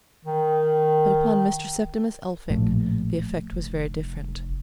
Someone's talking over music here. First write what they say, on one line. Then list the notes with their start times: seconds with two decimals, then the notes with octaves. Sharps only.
But upon Mr. Septimus Elphick the effect was very different.
0.25 D#3
2.50 A#1 A2 A3
3.52 F1